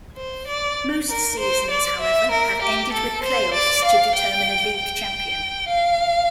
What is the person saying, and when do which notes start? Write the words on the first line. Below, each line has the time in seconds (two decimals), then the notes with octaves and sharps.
Most seasons, however, have ended with playoffs to determine a league champion.
0.17 C5
0.48 D5
1.09 A#4
1.40 C5
1.71 D5
2.01 E5
2.32 A#4
2.62 G4
2.93 A4
3.23 C5
3.54 D5
3.85 F5
4.15 G5
4.76 G5
5.68 F5